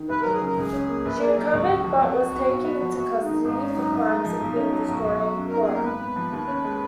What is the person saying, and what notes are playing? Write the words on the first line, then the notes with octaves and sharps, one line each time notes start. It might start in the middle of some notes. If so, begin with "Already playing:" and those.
She recovered, but was taken into custody for crimes including destroying Qurac.
Already playing: D#3
F1 B4
F#3 A#4
G#4
C#3 A#4
C#2 G#4
C#4
A#3
A#1 B4
A#4
A#3 G#4
F#3 A#4
C#2 F#4
C#2
F3
F2
F2
B3
B1
B3
F3
A#1 F#4
G#3
D#4
D#3
G#1 D#4
C#4
F#3
A#1
G#3
F3
B1
C#4
F#3
B1 F#4
B1
F#3
F#2
D#4 A#4
G#4
A#3 A#4
G#1 B4
B3
F3
D#2
C#4
G#3